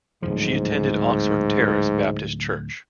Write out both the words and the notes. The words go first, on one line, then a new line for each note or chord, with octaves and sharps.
She attended Oxford Terrace Baptist Church.
D1 A#1 G#2 F3